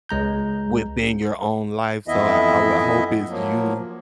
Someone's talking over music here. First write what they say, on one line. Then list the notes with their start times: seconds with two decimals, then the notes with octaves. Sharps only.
within your own life. So I I would hope it's you
0.09 C#2 G#3 A#5 G6
2.08 F2 E3 B3 E4 D#5 E5
3.30 F3 F#3 A#3